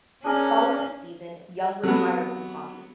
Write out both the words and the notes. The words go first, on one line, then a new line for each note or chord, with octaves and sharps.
Following the season, Young retired from hockey.
C#4 D4 G#4 A#4
F#3 B3 C4 G4 A4